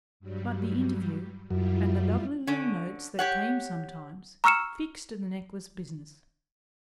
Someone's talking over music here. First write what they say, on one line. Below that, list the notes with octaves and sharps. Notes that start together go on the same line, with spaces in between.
But the interview, and the lovely little notes that came sometimes, "fixed" the necklace business!
G2 F#3 G3
F#2 G3 E4 F4
D3 C#4
G4 C#5 F#5
A#5 C#6 E6 F6 C#7 E7